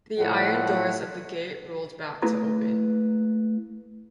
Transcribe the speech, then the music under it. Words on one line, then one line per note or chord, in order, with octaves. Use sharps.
The iron doors of the Gate rolled back to open.
A2 F3 F#5
A3 A#3 E4 G#4 B4 A#5